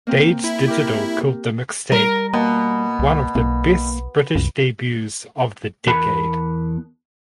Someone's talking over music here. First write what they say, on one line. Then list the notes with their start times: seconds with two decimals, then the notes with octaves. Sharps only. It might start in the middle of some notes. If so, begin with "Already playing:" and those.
Dazed Digital called the mixtape "one of the best British debuts of the decade".
0.07 A#3 C4
0.44 E4
0.67 G4 A#4
1.92 G3 A#4
2.33 B2 A#3
2.99 C2
3.35 B1 A#3
4.35 C2 F#2
5.87 E2 A#4 F#5 A5 B5